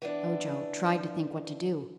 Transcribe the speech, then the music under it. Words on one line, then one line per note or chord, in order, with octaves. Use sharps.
Ojo tried to think what to do.
E3 B3 D4